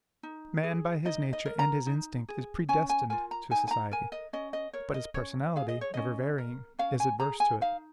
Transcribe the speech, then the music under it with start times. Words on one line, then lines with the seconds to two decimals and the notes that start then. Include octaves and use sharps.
Man, by his nature and his instinct, is predestined to society; but his personality, ever varying, is adverse to it.
0.23 D#4
0.63 G#4
1.05 D#4 D#5
1.33 D#5
1.46 A#4
1.59 A#5
1.87 D#4
2.29 G#4
2.69 C#4 G#5
2.90 G#5
3.10 F4 A#4 G#5
3.31 A#5
3.50 D#4 G#5
3.68 G#5
3.71 A#5
3.91 A#4 G#5
4.12 D#5
4.33 C#4 D#5
4.53 D#5
4.73 A#4 C#5
4.94 D#5
5.15 C#4 C#5
5.56 G#4 F5
5.68 D#5
5.81 C#5
5.94 C#4 D#5
6.38 A#4
6.79 C#4 F5
7.00 G#5
7.20 G#4 A#5
7.40 G#5
7.61 D#4 F5